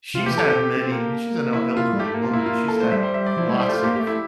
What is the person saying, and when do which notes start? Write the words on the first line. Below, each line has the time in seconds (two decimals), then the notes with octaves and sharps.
she's had many mi she's an el elderly woman. She's had lots of,
0.14 C3 F4
0.26 G4
0.31 E3
0.38 A4
0.46 C4 G4
0.77 C4
0.92 A#3
1.53 E4
1.77 F4
1.93 G3
1.99 A3 G4
2.14 A#3
2.22 F4
2.31 A#3 E4
2.46 F4
2.68 A4
2.80 C5
2.83 A3
2.91 G3 E5
3.03 C5
3.14 E5
3.26 D5
3.37 F3 E4
3.48 A3 E4
3.53 G3
3.60 C5
3.69 A3 F4
3.84 A#3 G4
3.96 G4
4.00 A3
4.07 E4